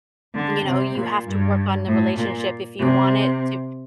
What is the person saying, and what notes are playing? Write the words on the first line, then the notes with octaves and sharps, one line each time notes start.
You know, you have to work on the relationship if you want it to
D3
C3
A#2
G2
A2
A#2
C3